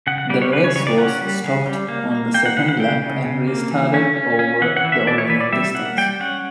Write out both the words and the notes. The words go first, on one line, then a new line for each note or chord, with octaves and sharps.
The race was stopped on the second lap and restarted over the original distance.
C#3 F#5
F#5
G3 D5
C#5
C#3 B4
C#5
C#3 C#5
D5
C#4 F#5
G3
C#3
G3
A#3
A#3
A#3 G5
F#5
C#3 F#5
F#5
C#3 G5
C#3
C#3
A#3
E3
C#4
C#4
C#4
E3 F#5
F#5
E3
E5
E3 D5
C#5
E3 B4
D5
G3 E5
A#3 F#5
G3 G5
C#4 F#5